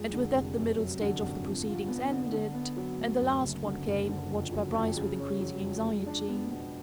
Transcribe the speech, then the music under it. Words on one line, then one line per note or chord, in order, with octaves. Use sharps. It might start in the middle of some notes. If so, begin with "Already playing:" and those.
And with that the middle stage of the proceedings ended--and the last one came, watched by Bryce with increasing anxiety.
Already playing: F2 G#3
D3
F1
F#2
F#3
D3
G#1
F3
F4
B3
D3
D3
B3
F#3
D2
F#2
F#1
D3
F#1
D3
F2
F#3
F2
C#3
C#4
F#3
F2
G#3
D4
B3
B2